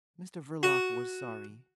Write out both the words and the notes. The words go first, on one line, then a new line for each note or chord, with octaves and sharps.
Mr Verloc was sorry.
F#4